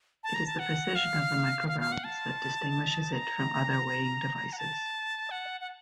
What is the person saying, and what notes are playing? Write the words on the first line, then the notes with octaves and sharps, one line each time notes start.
It is the precision of the microbalance that distinguishes it from other weighing devices.
A5
A#5
A5
F#5
F5
F5
F5
F#5
A5
A#5
F#5
A5
F#5
F#5